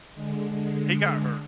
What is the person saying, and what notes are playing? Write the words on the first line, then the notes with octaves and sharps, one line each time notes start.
He got hurt.
D3 G#3